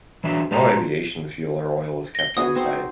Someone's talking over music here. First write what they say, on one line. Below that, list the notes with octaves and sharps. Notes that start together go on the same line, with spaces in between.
No aviation fuel or oil is kept on site.
E3 F#3 D4 E5
A2 G#3 G4 A5 A#5
A#6 G7
B3 F#4 G#4 D#6
C4 D#4 C5